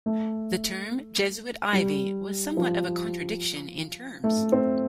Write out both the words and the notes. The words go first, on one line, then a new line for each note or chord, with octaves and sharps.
The term "Jesuit Ivy" was somewhat of a contradiction in terms.
A3
G3
F3
A3
C4